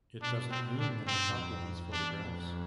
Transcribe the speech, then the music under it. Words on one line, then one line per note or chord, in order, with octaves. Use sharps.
It doesn't mean that I copied these photographs.
B2 D4
C4
A2 D4
G2 C4
F2
E2 D4
F2